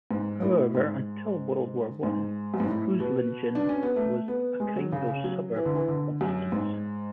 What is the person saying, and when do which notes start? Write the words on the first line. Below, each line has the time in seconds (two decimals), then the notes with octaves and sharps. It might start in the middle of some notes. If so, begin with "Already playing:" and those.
However, until World War One, Kreuzlingen was a kind of suburb of Constance.
0.11 G#2
0.43 A2
0.75 G#2
2.03 G#2
2.54 F#2
2.60 G#2
2.67 A2
3.00 B2
3.55 D4
3.69 C#4
3.83 B3
3.96 A3
4.28 B3
4.60 G#3
4.76 F#3
4.92 C#3
5.08 C#3
5.24 F#3
5.56 E3
5.65 D3
5.75 E3
5.88 D3
6.21 F#2
6.52 G#2